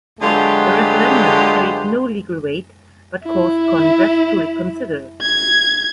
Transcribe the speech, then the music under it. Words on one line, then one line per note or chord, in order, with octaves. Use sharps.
The referendum carried no legal weight but caused Congress to reconsider.
D3 F#3 G#3 F4 G4 B4
E4
G#6